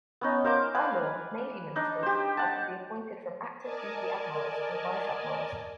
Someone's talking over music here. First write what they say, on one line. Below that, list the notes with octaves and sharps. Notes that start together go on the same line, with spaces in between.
By law, Navy Ministers had to be appointed from active duty admirals or vice-admirals.
B3 C#4 D#4
A#4 C5 F5 D6
B4 D5 F5 G#5
D4 D#4
G4 C5
F#5 A5
A#4 D5 D#5 G#5 A5